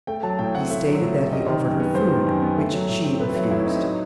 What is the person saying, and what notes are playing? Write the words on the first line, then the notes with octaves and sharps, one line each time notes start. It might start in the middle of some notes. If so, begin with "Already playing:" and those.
He stated that he offered her food, which she refused.
A3 G5
F#3 A5
A2 G5
C4 F#5
A3 E5
F#3
A2
C4
G3 D#5
D#3
F#2
B3
G3 C5
D#3
F#2
B3
A3
F#3
A2
C4
A3 B4
F#3 E4
A2 E4
C4 D#4
F#3